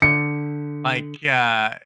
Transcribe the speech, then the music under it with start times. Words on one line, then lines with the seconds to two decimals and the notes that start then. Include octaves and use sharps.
like, uh,
0.02 D3 C#7